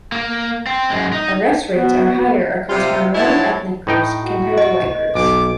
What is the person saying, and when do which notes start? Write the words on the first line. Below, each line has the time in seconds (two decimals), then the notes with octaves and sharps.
Arrest rates are higher across minority ethnic groups compared to white groups.
0.12 A#3
0.66 C4
0.90 F#2 G#3
1.12 D#4
1.71 B3 F#4
2.69 C3 F4
3.15 A2 F3 F#3 E4 C#5 A5
3.87 A2 D#4 G5
4.24 F#4
4.58 D#5
5.15 B1 D6